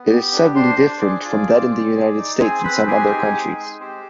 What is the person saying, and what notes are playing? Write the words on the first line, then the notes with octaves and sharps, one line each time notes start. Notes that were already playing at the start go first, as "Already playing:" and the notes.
It is subtly different from that in the United States and some other countries.
Already playing: B3
G4
D4
D4 C5 C6
D4
G#4 D5 D6
F4 D5 D6
C4 D5 D6
C4
G#4
D#4
C4 G#4 G#5
C4 B4 B5
G4 G#4 G#5
D#4
G#3
G#3
C4 G4 C5